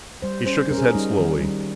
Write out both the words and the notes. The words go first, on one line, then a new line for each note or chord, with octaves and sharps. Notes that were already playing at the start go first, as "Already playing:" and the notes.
He shook his head slowly.
G3 C5
C#4 C5
C#4 A#4
G#4
A#4
G3 D#4
D#3
G3